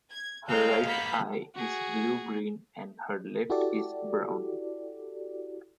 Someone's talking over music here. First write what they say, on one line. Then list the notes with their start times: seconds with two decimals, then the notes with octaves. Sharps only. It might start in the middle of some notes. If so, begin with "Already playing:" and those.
Her right eye is blue-green and her left is brown.
0.11 G#6
0.49 G#3 C4 F5 A#5 G6
0.87 A#3 B3 B5 G6 B6 C#7
1.55 F#4 G#4
3.50 E4 F#4 G4 A4 D5